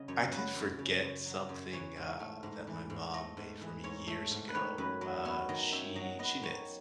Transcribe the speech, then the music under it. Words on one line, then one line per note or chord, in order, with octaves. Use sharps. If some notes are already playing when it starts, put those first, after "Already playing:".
I did forget something, uh, that my mom made for me years ago, uh, she she knits,
Already playing: C#3 F#3 D#5
F#2 C#5
F#3 B4
F#2
C#3
F#2
F#3
F#2
E3 C#5
G#2
A3
G#2
E3
G#2
A3 D#5
G#2
E3
G#2 C#5
A3
G#2
B4
D#3 C#5
F#2 B4
F#3 B4
B3 C#5
D#3 D#5
F#2 E5
F#3 D#5
B3 D#5
D#3 C#5